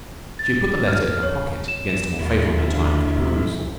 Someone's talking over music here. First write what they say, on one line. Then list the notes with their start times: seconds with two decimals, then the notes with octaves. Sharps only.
She had put the letter in her pocket against a more favourable time for perusal.
0.39 A6
0.88 F6
1.23 C#5
1.68 E7
2.20 D#2 G3 E4 F4
2.66 D2
3.23 F2